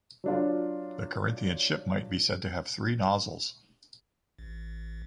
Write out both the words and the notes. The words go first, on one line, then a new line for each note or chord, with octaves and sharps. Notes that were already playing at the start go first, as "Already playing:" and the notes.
The Corinthian ship might be said to have three nozzles.
F#3 D4 F4
A1